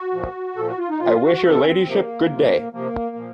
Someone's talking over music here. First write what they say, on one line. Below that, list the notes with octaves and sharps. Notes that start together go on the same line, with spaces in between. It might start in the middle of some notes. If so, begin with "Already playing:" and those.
I wish your ladyship good day.
Already playing: F#4
A#2 F3
A#2 F3 A4
F#4
F4
D#4
A#2 F3 F4
F#4
C3 F3 A4
C#4
C4
C3 F3 A#3
C3 F3
C3 F3 A#3
A#2 F3